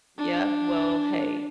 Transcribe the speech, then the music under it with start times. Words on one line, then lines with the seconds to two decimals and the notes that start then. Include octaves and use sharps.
Yup, well hey,
0.18 D4